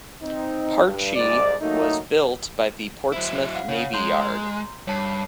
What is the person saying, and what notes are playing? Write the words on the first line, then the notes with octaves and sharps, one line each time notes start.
"Parche" was built by the Portsmouth Navy Yard.
C4 D#4
G2
C2 G#2 D5
F#3 A3 A#3 D#4
F#3 E4 C5
F5 F#5
C#3 C#5
G#3 A#5 C6 G6
G2 C#5 A5 C7